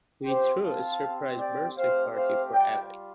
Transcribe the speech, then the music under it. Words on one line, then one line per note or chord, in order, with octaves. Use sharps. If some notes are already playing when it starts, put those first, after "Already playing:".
We threw a surprise birthday party for Ali.
C4 F4 G4 C5
F5 A5
C4 G4
D5 G5
A3 C4 G4 C5 F5
C5 F5
G3 F4 D5 G5